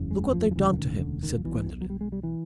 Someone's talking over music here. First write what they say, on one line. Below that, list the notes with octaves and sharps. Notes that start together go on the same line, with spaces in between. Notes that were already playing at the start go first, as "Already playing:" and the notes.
"Look what they've done to him," said Gwendolen.
Already playing: F#1 E2 C#3
G#3
F3
F3
E1 D2 C#3 E3
D3
D#3
D3
D#3
F3
B1 B2 E3
F#3
G3
G#3
G3
E3